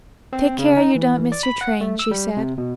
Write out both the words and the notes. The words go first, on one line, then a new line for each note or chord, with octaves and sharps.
"Take care you don't miss your train," she said.
C4
C#3
D#4
E3
D5
B5
F#5
A3
E6
G3
C3
B2